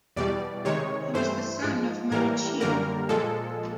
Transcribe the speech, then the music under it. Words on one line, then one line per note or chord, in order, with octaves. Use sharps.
He was the son of Manuchihr.
E2 B2 G3 D5
C3 D#3 G#3 C#5
G2 E3 A3 C5
G#2 F3 G#3
A2 E3 G3 A#3 A#4
F#2 D3 G3 A#3 A#4
A#2 F3 G#3 A4